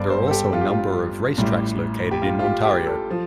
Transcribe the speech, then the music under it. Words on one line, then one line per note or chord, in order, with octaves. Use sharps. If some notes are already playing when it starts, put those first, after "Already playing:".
There are also a number of racetracks located in Ontario.
Already playing: G1 G2 G3 C5 D5
C5
A4
G4
F4
G4
F4
A1 A2 G3
G4
F4
F4
G4
G4
A4
F3